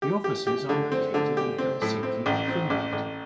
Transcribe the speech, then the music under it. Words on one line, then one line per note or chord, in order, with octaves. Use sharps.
The offices are located in Helsinki, Finland.
G4
G4
G4
D3
C4
D3
G4
C4
A2
C4
A1
C4
A1
A1